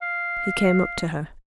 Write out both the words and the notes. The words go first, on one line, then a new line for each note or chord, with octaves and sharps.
He came up to her.
F5